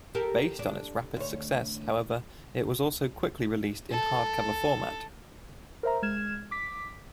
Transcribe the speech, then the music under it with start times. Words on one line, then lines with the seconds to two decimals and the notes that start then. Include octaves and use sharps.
Based on its rapid success, however, it was also quickly released in hard-cover format.
0.15 G4 A4 A#4
0.59 D4
1.16 D2 C#5
3.91 A4
5.83 A#4 C5 E5 A#5
6.02 G#3 F6 G#6 E7
6.51 D6 B6